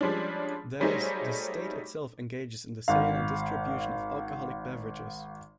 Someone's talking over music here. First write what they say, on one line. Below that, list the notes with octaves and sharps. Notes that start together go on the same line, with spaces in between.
That is, the state itself engages in the sale and distribution of alcoholic beverages.
F3 G3 G#3 C#4 D4
F#3 G3 A3 D#4 G#4 C5
G#1 F5